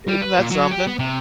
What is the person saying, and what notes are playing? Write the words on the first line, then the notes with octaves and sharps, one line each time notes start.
Isn't that something?
G3
B4
A#2
F#3
G4
B3
C3